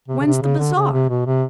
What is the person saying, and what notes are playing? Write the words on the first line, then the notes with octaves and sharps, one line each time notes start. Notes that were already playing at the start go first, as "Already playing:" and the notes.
'When's the bazaar?'
C3
C#3
C3
C#3
D3
C#3
C3
B2
C3